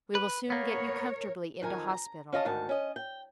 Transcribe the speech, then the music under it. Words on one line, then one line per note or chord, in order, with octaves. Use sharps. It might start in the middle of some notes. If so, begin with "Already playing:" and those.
We will soon get you comfortably into hospital.
B4
A#3 B3 A#4 C#5
F2 D#3 G#5 A#5
A#5
C#4 F4 D#5 A5
D2 G#2 D#3 A5
C#4 D#5
G5